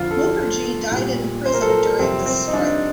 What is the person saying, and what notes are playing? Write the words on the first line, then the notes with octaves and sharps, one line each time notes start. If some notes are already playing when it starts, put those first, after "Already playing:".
Mookerjee died in prison during this strike.
Already playing: F2 D3 F3 F4
A4
A#2 G3
C5
A#4
A4
A#4
F2 C3 G3 C4
C4
D#4
D4